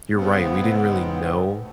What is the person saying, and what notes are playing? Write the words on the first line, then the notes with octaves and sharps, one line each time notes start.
you're right, we didn't really know
G#2 C#3 B3 C4
D2